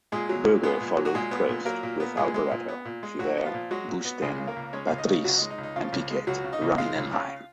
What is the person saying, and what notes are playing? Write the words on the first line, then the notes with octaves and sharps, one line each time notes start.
Berger followed Prost with Alboreto, Cheever, Boutsen, Patrese and Piquet running in line.
A#2 G#3 G#4
F#3
A#2
G#3 B3 G#4
A#2
F#3
F#4
A#2 G#3 G#4
B3
A#2
F#3 A#3 A#4
A#2
B3
A#2 G#3 G#4
G#3
A#2
B3
A#2
G#3
A#2 F#3 F#4
B3
F3 F4
A#2
F#3 G#3 F#4
A#2
B3
C#2 G#3 G#4
C#3
A#3 A#4
C#2
G#3 C#4 C#5
C#2 F5
D#4 D#5
C#3
C#2 F#3 F#4
D#4
G#3
D#4
C#2
D#4
C#3 F3 F4
C#2
G#3
C#2 F#3 F#4
C#3
D#4 D#5
C#2
G#3 F4 F5
C#2
C#3